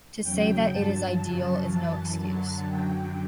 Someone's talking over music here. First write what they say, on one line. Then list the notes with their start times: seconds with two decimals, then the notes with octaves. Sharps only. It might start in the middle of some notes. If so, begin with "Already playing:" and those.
To say that it is ideal is no excuse.
0.22 E2 C#3 F#3 G5
0.70 G2 F#3 A5
1.19 F#2 C#3 F#3 A5
1.67 F#2 E3 A5
2.16 F#2 D3 F#3 A5
2.64 F#2 D3 F#3 G5